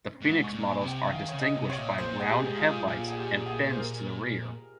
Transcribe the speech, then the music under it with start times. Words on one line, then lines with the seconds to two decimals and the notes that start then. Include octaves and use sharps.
The Phoenix models are distinguished by round headlights and fins to the rear.
0.21 G#2
0.44 C#6
0.52 A#2
0.66 G#5
0.81 C3
0.88 G5
1.10 D#3 F5
1.29 C#3 C#5
1.39 D#5
1.54 C3
1.70 C#5
1.77 A#2
1.98 A#2 C5
2.20 G#4
2.28 G4
2.42 G#2
2.57 F4
2.87 A#2 F4
3.08 G#4
3.17 G4
3.46 G#4
3.70 C5
3.76 A#4